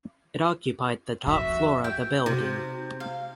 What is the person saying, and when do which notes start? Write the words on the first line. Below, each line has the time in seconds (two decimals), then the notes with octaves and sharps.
It occupied the top floor of the building.
1.27 F2 F#4 E5
1.84 G5
2.26 C3 D#4 F#4
3.00 F5